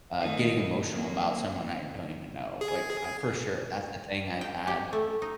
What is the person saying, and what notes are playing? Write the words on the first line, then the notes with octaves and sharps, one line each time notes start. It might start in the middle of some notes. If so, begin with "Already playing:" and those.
uh, getting emotional about someone I don't even know. Like, for sure, that's the thing I've had
D#3 A3 D#4
F#3 A#3
G#4
G5
G4
A3
D#4